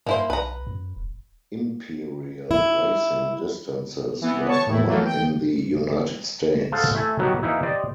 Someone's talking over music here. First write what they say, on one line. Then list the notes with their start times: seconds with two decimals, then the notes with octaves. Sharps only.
Imperial racing distances were common in the United States.
0.06 G2 A#3 E4 C5
0.30 B1 B4 A#5
0.67 F#2
0.96 D#1
2.51 E4
4.21 E3 B3
4.47 C#5 A5 C#6
4.67 A2 E4
4.86 E3 F#3 A3 A#3
5.05 G5
6.72 G#4 A4 C5 F5 F#5
6.95 A3 E4 G#5 A5
7.19 D#3 F#3 B3 C#4 F#4 G4
7.43 E3 A#3 D#4 E4
7.63 G4 C5 D5 D#5